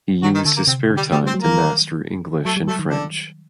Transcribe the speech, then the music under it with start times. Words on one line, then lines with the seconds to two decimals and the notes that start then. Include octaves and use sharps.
He used his spare time to master English and French.
0.23 D#3 F#3 F#4
0.34 D#3 D#4
0.45 D3 A3
0.57 A#3
0.67 C3 C4
0.90 D3
0.97 G3 G4
1.11 G3 A3 G4
1.23 G3
1.26 C4 C5
1.34 F#3
1.41 D#3 A#3 A#4
2.45 F#3 A3 A4
2.57 G3
2.67 F#3 A3 A4
2.79 D#3
2.90 D3 D4